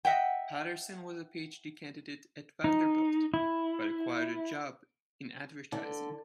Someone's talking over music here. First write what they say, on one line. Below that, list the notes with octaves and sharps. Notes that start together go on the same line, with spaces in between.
Patterson was a Ph.D. candidate at Vanderbilt, but acquired a job in advertising.
D#5 E5 F#5 G5
D#4
E4
D3